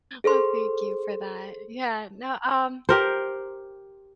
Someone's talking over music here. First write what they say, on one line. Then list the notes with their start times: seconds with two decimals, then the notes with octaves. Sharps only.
Well, thank you for that. Yeah, no, um
0.24 G#4 A4 C5 C6
2.89 G4 A#4 C5